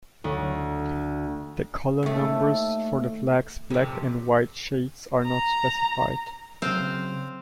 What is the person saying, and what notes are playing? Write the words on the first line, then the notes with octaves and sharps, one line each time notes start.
The colour numbers for the flag's black and white shades are not specified.
D2
D#2 A3
F2 C3
A#5
C#3 F#3 C4 C5 F5